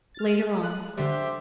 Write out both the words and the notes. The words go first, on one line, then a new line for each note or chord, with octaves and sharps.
"Later on."
F6 A6
F#6
D3 G3 G4 C5 E5